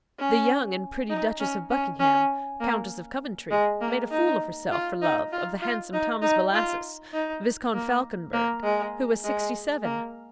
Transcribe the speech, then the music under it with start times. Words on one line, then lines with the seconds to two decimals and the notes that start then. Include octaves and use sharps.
The young and pretty Duchess of Buckingham, Countess of Coventry, made a fool of herself for love of the handsome Thomas Bellasys, Viscount Falconberg, who was sixty-seven.
0.19 C#4
1.09 D#4
1.40 C#4
1.70 C#4
1.99 C#4
2.60 A#3
3.51 G#3
3.81 A#3
4.11 D#4
4.72 F4
5.02 D#4
5.32 F4
5.62 F4
5.93 D#4
6.22 D#4
6.53 F4
7.13 D#4
7.73 A#3
8.33 A#3
8.63 G#3
9.24 G#3
9.84 A#3